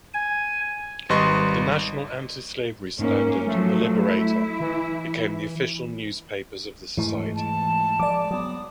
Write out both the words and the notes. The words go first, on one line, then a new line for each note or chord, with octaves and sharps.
The National Anti-Slavery Standard and "The Liberator" became the official newspapers of the society.
G#5
G#1 G3 B4 D#5 C6 C#6
G#2 A#3 C#4
F3 F#3 A3
E4
E3
G#2 E3 A3
A5
F3 F#3 G#3 D5 D6
F#3 B3 D#6